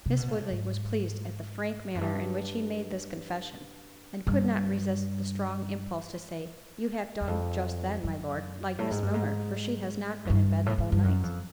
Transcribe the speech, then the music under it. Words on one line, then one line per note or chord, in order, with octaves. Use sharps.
Miss Woodley was pleased at the frank manner in which he made this confession, and could not resist the strong impulse to say, "You have done just then, my Lord, like Miss Milner, for she has not been in bed the whole night."
C3
B2
A#2
A2
G#2
F#2
G2
G2
E2
F2
F#2
A2
G#2
G2
G#2
F#2
G2
A2
G#2
G2
F#2
F2